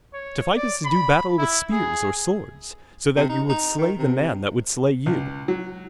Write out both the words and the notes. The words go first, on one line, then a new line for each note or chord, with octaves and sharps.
'To fight is to do battle with spears or swords, so that you would slay the man that would slay you.'
C#5
D5
B5
E4
G#4
C3
D#4
D#4
D#3
C3
C#2
F#3